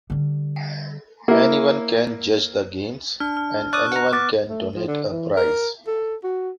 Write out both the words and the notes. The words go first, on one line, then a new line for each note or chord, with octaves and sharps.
Anyone can judge the games, and anyone can donate a prize.
D3 G3
A#3 E4
D4 F6
F6
D5 C#6 D#6 F#6
F#5 A#5
B3 D6 A6
A3
F3
D3
E3
A#4
A4
F#4